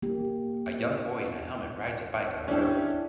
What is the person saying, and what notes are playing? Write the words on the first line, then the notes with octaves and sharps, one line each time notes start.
A young boy in a helmet rides a bike on the road.
A#3 G4
C#4 D4 E4 G4 A4